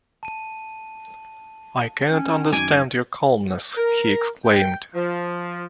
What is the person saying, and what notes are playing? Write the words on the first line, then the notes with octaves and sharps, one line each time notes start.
"I cannot understand your calmness," he exclaimed.
A5 D#7
C#4
F#2 D#3 G#5 D6
A#4
G5
F3